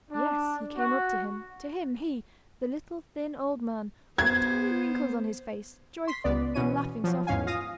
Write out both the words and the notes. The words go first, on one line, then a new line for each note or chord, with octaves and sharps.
Yes, he came up to him, to him, he, the little, thin old man, with tiny wrinkles on his face, joyful and laughing softly.
D4
F#4
B3 C5 G#6
C6 B6
C#2 B3 D5
B2 E3 C#4 D#7
F3 F#3
E2 G#2 C#4 F5 G#5
F4 F5 D#6 A#6